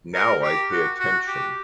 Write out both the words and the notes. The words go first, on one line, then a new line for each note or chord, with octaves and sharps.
Now I pay attention.
A#4
G4
F#4
F#4
G4